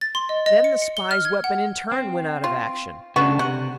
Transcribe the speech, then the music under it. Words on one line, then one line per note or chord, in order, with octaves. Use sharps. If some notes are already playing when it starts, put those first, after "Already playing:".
Then the spy's weapon in turn went out of action.
A6
C6
D#5
D#5
C#7
C#7
G7
F6
G#6
F#5
C4
F4
C#3 A3 B3 D4 F#4
C3 F#5